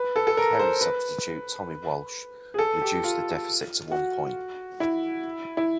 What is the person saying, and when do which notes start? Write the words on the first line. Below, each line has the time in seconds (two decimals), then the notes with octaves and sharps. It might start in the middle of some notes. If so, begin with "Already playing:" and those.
Kerry substitute Tommy Walsh reduced the deficit to one point.
Already playing: B4
0.16 A4
0.27 A4
0.37 A#4
0.59 C5
0.81 B4
2.54 G#4
2.59 A4
2.81 G4
3.04 F4
3.91 F#4
4.80 E4
5.57 E4